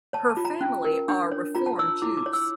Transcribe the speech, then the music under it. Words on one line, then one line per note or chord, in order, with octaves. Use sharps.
Her family are Reform Jews.
C#5 A5
A5
F4
A#5
C#4
A#4
D4
C#5
F4 A#5
A5
C#5 E6
E4 D6
D6
C#5
E6